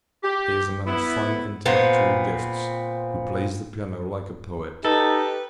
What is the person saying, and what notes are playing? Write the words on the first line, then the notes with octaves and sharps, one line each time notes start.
He is a man of fine intellectual gifts who plays the piano like a poet.
G4
B3 E4
A#2 B3 C4
D#4 G4 A4 B4